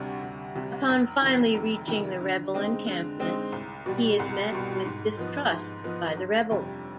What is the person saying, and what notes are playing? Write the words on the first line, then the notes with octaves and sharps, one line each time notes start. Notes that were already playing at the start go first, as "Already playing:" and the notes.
Upon finally reaching the rebel encampment he is met with distrust by the rebels.
Already playing: D2 C3 G3
D2
C3 G3
F1
F2 C3 D#3
F1
F2 C3 D#3
D3
G#3 C4 D#4
D3
G#3 C4 D#4
C2
B2 G3
C2
B2 G3
G#2
F3 B3 D#4
G#2
F3 B3 D#4
G1
F2 C3 G3